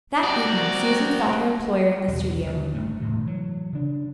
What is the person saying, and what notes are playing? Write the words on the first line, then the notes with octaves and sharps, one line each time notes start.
That evening Susan sought her employer in the studio.
G3 C4 F#4 D5 F#5 A#5
B1 E2 C#3
D#2 D3
F#1 G2 A3
E1 A2 C3
E3 F#3
C#3 D4